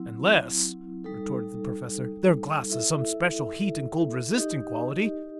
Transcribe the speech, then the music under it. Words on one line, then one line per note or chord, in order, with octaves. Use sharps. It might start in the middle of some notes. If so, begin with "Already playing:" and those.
"Unless," retorted the Professor, "their glass has some special heat and cold resisting quality."
Already playing: F#3 C4 E4
G3 D#4 A4
E4 A4 E5
D#4 G4 D#5